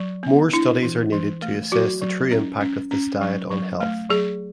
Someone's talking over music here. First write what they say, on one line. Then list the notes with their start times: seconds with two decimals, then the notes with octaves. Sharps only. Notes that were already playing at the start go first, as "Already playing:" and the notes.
More studies are needed to assess the true impact of this diet on health.
Already playing: F#3
0.23 B3
0.53 D4 E4
0.83 E3
1.13 E3
1.42 A3
1.72 F#3 F#4
2.01 F#3
2.31 C#4
2.61 C#4
2.91 C#4
3.21 F#3
3.50 F#3
3.80 A3
4.10 F#3 G#4